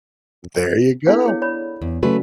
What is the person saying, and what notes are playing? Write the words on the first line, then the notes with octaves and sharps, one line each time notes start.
There you go.
B3 D4 E4 A4 F5
E4 G#4 C#5
C#5 D5 B5
E2
C#3 F#3 A3 F#4 B4 D5